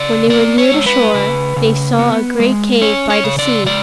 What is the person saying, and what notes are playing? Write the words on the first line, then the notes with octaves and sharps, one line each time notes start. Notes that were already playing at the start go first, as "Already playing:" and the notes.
When they were near the shore they saw a great cave by the sea.
Already playing: C#3 D5
B3 D5
C#5
G#3
B4
C#3
C#3
B3
G#3
C#4 C#5
C#5
C#3
D5
G#3 D5